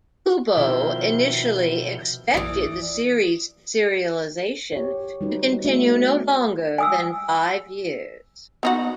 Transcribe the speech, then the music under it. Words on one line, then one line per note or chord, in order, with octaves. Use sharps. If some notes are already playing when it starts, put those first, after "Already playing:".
Kubo initially expected the series' serialization to continue no longer than five years.
B2 D#3 F3 E4 G7
A#1 E3 D5 D#6
G4 C#5
G3 C#4 D#4 F#4 B4
A3 B3 F#4 G#4 E5
G#5 D#6 E6
B3 D#4 F#4